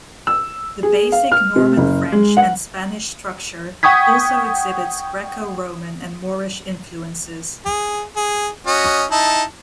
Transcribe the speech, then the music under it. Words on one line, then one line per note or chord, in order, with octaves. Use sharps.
The basic Norman-French and Spanish structure also exhibits Greco-Roman and Moorish influences.
E6
G#4
F5
F6
C3
F#1
G#3
F#5
F#5 G5 C#6 D#6 G#6 B6
G#4
G#4
C#4 F#4 D#5
D#4 E4 A5